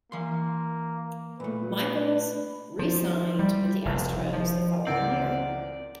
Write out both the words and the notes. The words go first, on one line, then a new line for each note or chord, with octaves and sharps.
Michaels re-signed with the Astros the following year.
E3 A#3 C6
A#2 A3 B4
F3
G3
F1 F2
F3
C#2 E3 A#3 C4 A#4 C5 D5 F#5